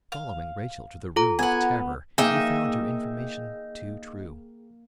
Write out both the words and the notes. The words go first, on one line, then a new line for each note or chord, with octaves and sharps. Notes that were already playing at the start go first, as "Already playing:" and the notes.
Following Rachel to the room of terror he found her information too true.
F5
F4 A4 A#5
B3 F#5 G#5
A#3 D#4 G#4 D#5 E5 G5